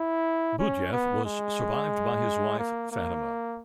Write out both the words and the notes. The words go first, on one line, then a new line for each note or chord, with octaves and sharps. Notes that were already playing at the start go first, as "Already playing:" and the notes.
Boudiaf was survived by his wife, Fatima.
Already playing: E4
C#4
B3
G#3
A#3
A#3